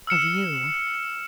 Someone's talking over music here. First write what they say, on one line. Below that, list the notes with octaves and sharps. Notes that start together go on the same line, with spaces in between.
"Of you?"
E6 F6 C#7 E7